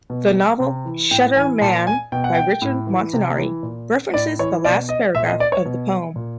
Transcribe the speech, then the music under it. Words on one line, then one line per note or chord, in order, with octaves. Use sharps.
The novel "Shutter Man" by Richard Montanari references the last paragraph of the poem.
B2
C3
E3
A2 G5
E3 G#5
A#2 A5
G#5
B2 G5
F#5
G5
A2
E3
C3
E3
A#2
A2 D5
E3 C#5
B2 D5
D#5
A#2 E5
D#5
D5
C#5
B2
A#2